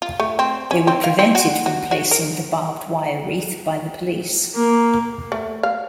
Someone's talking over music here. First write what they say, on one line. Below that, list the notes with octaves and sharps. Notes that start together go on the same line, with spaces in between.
They were prevented from placing the barbed wire wreath by the police.
F4
A3
C4
C#4
C4
F5
C4
F#4
F#4
F#4
A#4
A#3
A3
F5